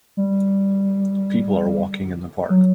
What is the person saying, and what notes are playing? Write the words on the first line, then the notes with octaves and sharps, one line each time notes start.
People are walking in the park.
G3
F#3